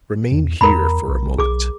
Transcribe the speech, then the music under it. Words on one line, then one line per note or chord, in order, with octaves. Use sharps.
"Remain here for a moment."
E2
E2 A#4 A#5 B5
B1
B1 G#4 D6